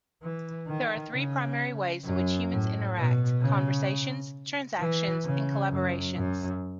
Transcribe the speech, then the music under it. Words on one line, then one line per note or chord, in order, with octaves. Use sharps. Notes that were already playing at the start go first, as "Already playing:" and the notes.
There are three primary ways in which humans interact: conversations, transactions, and collaborations.
E3
D#3
C#3
F#2
A2
B2
C#3
E3
C#3
F#2
F#2